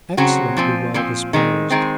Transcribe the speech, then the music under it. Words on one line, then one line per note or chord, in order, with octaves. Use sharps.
"Excellently well disposed."
C#3 F#3 C4 F#4
A#2 F3 C4
A#2 F3 C4
D#3 G#3 C4
D#3 G#3 C4